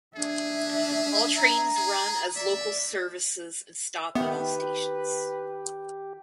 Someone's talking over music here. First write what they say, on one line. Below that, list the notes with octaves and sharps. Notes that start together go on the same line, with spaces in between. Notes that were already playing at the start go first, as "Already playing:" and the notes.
All trains run as local services and stop at all stations.
D4 G#4 E5
A#5
G#4
D5 E5
D#3 E3 B3 G4 B4 E5